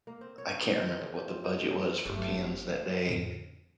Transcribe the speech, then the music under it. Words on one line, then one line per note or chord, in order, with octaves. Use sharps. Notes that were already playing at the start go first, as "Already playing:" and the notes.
I can't remember what the budget was for pins that day
A#3
C4
C#5
F5
D#3
C#3
G4
F4
D#4
A4
F#3
G1 F#3 A3 G4
F2 A2 D3 F3